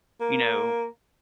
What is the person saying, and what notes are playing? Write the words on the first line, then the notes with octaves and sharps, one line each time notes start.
you know
A#3